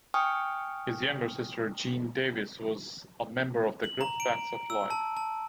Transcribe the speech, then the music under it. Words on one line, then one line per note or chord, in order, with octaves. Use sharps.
His younger sister, Jean Davis, was a member of the group, Facts of Life.
G5 G#5 C#6 D#6 F6
F#7
A#5
D7
E6
A5
A5